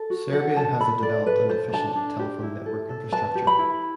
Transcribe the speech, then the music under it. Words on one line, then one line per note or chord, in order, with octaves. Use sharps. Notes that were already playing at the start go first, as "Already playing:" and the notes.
Serbia has a developed and efficient telephone network infrastructure.
Already playing: A4
F#4
A4 F#5
A4 A5
A4 B5
A4 D5
A4 B4
A4 C5
D4 A5
D4
G4
E4
A4
A4
B4 A5
G4
B5
E4